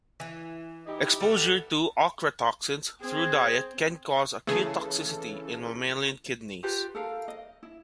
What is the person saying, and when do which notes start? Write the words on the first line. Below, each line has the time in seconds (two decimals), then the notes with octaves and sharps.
Exposure to ochratoxins through diet can cause acute toxicity in mammalian kidneys.
0.20 E3
0.87 D#4 E4 G4
1.21 G3 B3 A4 F#5
3.02 C4 G#4
4.47 C#3 E3 A3 G#4 A4
6.63 F4 G4 B4
6.95 A4 A#4 F5
7.28 D#5
7.63 E4